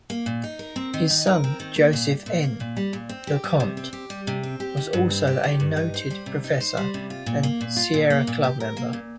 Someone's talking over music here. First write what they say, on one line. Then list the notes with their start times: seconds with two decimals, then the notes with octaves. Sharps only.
His son, Joseph N. LeConte, was also a noted professor and Sierra Club member.
0.10 A#3
0.26 A#2
0.43 D#4
0.59 A#4
0.76 C4
0.94 D#3
1.10 D#4
1.27 A#4
1.44 C4
1.60 D#3
1.76 A#3
1.93 A#2
2.10 G3
2.26 A#2
2.43 A#3
2.60 A#2
2.77 G3
2.93 A#2
3.09 C4
3.27 G4
3.44 G3
3.60 C3
3.77 C4
3.93 G4
4.10 G3
4.27 C3
4.43 C4
4.60 G4
4.77 D#3
4.93 G2
5.10 C4
5.27 G4
5.44 D#3
5.60 G2
5.77 D#4
5.94 C5
6.10 G3
6.26 C3
6.44 D#4
6.60 C5
6.77 G3
6.94 C3
7.10 F4
7.26 A#2
7.43 A#3
7.61 A#2
7.77 F4
7.94 A#2
8.10 A#3
8.27 A#2
8.44 G4
8.60 A#4
8.77 A#3
8.93 A#2